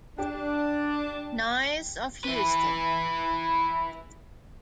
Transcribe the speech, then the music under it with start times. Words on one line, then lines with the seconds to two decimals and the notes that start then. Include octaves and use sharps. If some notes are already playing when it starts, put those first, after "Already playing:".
Noyes of Houston.
0.18 D4 G4
2.24 E4 B4